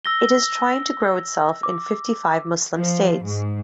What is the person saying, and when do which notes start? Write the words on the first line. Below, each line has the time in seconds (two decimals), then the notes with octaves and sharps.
It is trying to grow itself in fifty-five Muslim states.
0.05 E6 A#6 G7
1.63 D6
2.75 F3
3.24 G#2